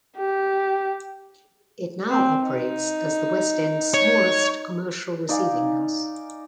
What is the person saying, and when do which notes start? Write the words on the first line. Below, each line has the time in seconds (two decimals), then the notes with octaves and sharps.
It now operates as the West End's smallest commercial receiving house.
0.17 G4
2.09 C4
2.44 D#4
3.94 C#5
5.29 D#4 D5 F5 G#5